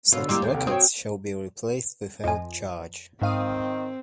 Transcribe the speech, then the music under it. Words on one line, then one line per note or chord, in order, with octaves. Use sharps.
Such records shall be replaced without charge.
B2 D3 F4 C#5 E6
G3 A#3 E4 C6
D#2 G#4 C5
C2 A4 G5
C4 F#4 C#5 D#6
F2 F3 D#5 G#5
G#2 D#3 C4 F5 D#6